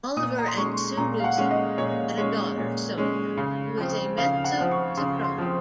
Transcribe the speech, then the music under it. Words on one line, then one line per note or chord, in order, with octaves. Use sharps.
Oliver and Sue Knussen had a daughter, Sonya, who is a mezzo-soprano.
A#2 D#6
A#5
C6
G#3 C#4 C#6
A#2 A#5
F5
F#5
G#3 C#4
D#5
A#2 C#5
G#3 C#4 C#5
A#2
G#3 C#4
C#3
F3 C4
C#3 F5
F#5
F3 C4
C#6
C#3 C6
C6
F3 C4